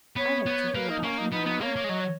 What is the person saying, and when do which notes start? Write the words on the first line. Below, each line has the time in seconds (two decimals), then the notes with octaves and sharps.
'I love to hear about him, mamma.
0.16 B3 C#5
0.46 B3
0.74 A#3 B4
0.89 D#4
1.03 A#3 C#4
1.18 D#4
1.32 B3 D#4
1.46 B3
1.61 A#3 C#5
1.76 A#3
1.84 G#3
1.89 F#3 D#5
2.00 C#5